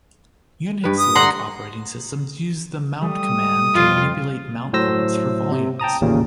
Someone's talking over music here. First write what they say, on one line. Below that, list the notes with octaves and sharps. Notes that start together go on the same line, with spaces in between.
Unix-like operating systems use the mount command to manipulate mount points for volumes.
G2 B4
D#6
D3 F#5 A#5 C6
G3 A3 D#6
F2 F4
A2 F#3 C5 E6 A#6
C3
G5 A5 A#5 D#6
A1 D#2 A#2 C#3